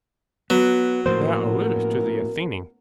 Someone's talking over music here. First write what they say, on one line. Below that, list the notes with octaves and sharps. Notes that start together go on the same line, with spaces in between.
'Thou alludest to the Athenian.
F#3 B3
A2 F3 A#3 B3 C#4 A#4 C5